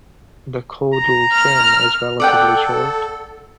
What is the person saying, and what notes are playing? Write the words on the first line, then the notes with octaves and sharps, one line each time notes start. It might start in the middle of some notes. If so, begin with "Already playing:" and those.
The caudal fin is relatively short.
A#5
F6
A4 D5 F#5 G5